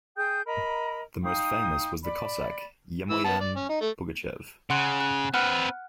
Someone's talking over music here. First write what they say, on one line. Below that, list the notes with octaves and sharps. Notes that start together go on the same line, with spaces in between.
The most famous was the Cossack Yemelyan Pugachev.
G#4 G5 D#6 G6
A#4 D#5 A#5 B5
D#4 F5 G5 D#6
D5 B5
E3 E6
B3 A5
D5
C#4
D#4
A3
C#3 F#5 C6 F#6
F#6
C4 B4 F#5 F6 F#6